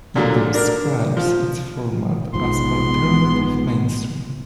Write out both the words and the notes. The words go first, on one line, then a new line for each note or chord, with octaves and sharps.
It describes its format as "alternative mainstream".
A#2 D3 F#3
D4 A#4
F3
A#1 G#2 F3 G#3 B3 C6